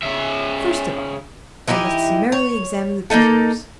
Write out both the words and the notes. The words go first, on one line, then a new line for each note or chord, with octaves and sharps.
First of all, I must summarily examine the prisoners.
C#3 E5
E3 D#4 E4 G4
C#5
A#3 C#4 D#4 A4